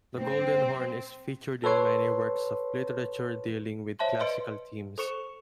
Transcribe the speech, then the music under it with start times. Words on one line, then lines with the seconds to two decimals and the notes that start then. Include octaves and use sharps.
The Golden Horn is featured in many works of literature dealing with classical themes.
0.18 C4
1.64 A4 B4 C#5 C6
3.99 C5 C#5 E5 A5 C6
4.19 B4 D5 D#5 C6 C#7 D7
4.98 A4 C5 C#6 C#7 E7